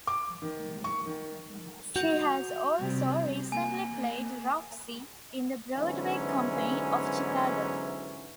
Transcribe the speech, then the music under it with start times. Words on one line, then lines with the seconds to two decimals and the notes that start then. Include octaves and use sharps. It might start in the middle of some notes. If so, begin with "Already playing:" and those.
She has also recently played Roxie in the Broadway company of "Chicago".
0.07 D6
0.42 D#3
0.84 C#6
1.06 D#3
1.96 F#4 G6 F7
2.79 C3 G3
3.52 A#3 G#5
5.76 G#2 D3 E3 F#3 B3 C#4